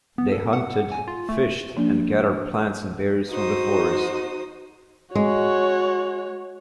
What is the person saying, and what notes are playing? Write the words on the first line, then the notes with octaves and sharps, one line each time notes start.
They hunted, fished and gathered plants and berries from the forest.
B3
A4
F#5
G#5
F4
A3
F3 A#3 C#4 D4
D#4 F#4 C5 D#6
G#3 F#4 C#5